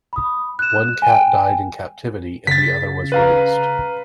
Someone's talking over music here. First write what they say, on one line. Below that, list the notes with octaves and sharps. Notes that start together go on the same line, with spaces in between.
One cat died in captivity, and the other was released.
B5 D#6
F#6 E7
G5 G#5
C#3 A6 B6
B4 F5 A#5